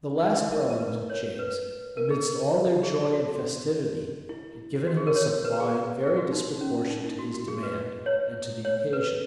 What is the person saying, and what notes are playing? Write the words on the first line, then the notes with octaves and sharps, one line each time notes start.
The last parliament of James, amidst all their joy and festivity, had given him a supply very disproportioned to his demand, and to the occasion.
D#4
E4
A#4
A#4
B4
C#5
B4
A#4
G#4
G#4
F#4
E4
F#4
G#4
A#4
C#5
B4
G#4
G#4
F#4
D#4
C#4
D#4
E4
F#4
F#4
G#4
B4
C#5
C#5
B4